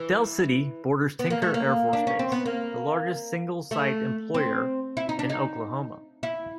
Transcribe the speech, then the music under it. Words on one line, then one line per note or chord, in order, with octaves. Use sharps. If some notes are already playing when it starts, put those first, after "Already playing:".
Del City borders Tinker Air Force Base, the largest single-site employer in Oklahoma.
Already playing: E3
B3
A#3
A3
A#3
D4
C#4
C4
B3
A#3
A3
C4
E4
D#4
D4
D#4
E4